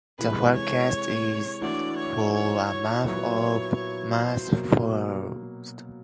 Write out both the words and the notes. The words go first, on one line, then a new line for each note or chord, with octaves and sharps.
The forecast is for a month of harsh frosts.
C3 E3 G#3 B4
C#5
E3 A3 D4 F#4 D5
C#5
C#5
C#5
A#2 F#3 B3 E4 C#5
C#5
C5
B2 F#3 A#3